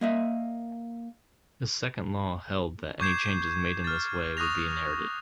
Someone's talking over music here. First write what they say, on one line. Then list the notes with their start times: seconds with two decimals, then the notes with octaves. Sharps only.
His second law held that any changes made in this way would be inherited.
0.01 A#3 D#5 E5
3.00 C#6 D6 G6 G#6 C7 E7
3.84 F6 A6
4.37 C#6 D#6 F#6 A#6 F7